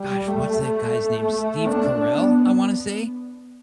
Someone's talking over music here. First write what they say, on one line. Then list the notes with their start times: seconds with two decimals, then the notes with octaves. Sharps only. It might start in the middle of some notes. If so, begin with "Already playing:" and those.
gosh, what's that guy's name? Steve Carell, I wanna say?
Already playing: G3
0.27 A3
1.20 A3
1.67 D4
2.14 B3